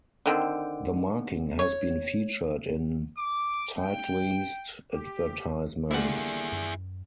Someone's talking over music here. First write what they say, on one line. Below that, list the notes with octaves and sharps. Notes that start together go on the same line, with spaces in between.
The marking has been featured in Titleist advertisements.
D3 D#3 C4
C#5
D6
G5
G4
D3 G3 A#3 E4 G#4 F#5
F#2